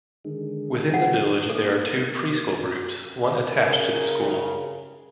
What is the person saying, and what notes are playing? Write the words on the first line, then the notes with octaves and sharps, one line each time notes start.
Within the village there are two pre-school groups, one attached to the school.
D3 D#3 G#3
F#5
A#3 D#4 A4
C#3 A#4